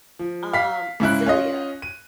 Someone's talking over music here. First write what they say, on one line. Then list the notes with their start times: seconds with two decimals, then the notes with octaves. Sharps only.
um, Xillia.
0.19 F3
0.53 F5 B6
1.00 G#2 C#3 E4 F#6
1.26 C#4 F4 D#5
1.82 D#7